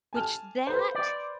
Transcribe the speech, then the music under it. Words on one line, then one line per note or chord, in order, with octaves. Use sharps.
which that
G#5 A5 F6
B4 C5
D5